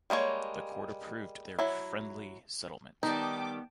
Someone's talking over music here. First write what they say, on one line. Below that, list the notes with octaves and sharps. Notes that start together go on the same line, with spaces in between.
The Court approved their "friendly settlement".
G3 G#3 A#3 C#5
F#3 E4
D#3 G3 B3 D#4 G5 A5 D6